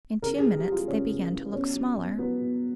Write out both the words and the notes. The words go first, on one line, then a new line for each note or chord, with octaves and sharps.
In two minutes they began to look smaller.
C#3 A#4
G#4
E3
G4
G3
F4
C#3 C#4
C#3
E3
B2 C#4
F#3
B2
F#3 B3
B2